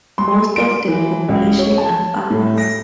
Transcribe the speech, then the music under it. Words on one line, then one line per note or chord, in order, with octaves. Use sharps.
Most of the population are farmers.
C6
D7
E3
C#2
C#5
A5
A2
A#6